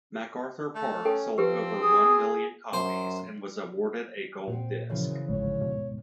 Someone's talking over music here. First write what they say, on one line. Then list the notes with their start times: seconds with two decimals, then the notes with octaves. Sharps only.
"MacArthur Park" sold over one million copies, and was awarded a gold disc.
0.75 A3
1.05 C#4 A4 G5
1.38 F3 C4 G4 B4
1.81 G#4 D#6
2.73 F#2 C5
4.48 A#2 C4 C5 F#5
4.90 F#2 C#3 E3 F3
5.29 G#1 D2 G#2 C#5
5.61 B2